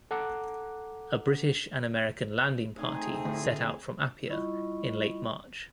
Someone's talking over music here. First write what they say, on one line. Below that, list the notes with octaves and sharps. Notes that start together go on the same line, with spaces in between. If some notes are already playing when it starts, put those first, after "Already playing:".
A British and American landing party set out from Apia in late March.
A4 F#5 A#5 D6 F#6
A3 C4 D#4 G#4
D2 A2
G3 E4 F4 D#5 B5 C#6